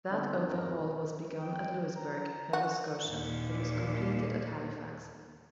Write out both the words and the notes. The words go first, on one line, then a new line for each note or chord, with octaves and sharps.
That overhaul was begun at Louisburg, Nova Scotia but was completed at Halifax.
D3 G3 B3 C4 D#4
G#1 F2 B2 A#4
G5
A#5
F#4
D#2 A#2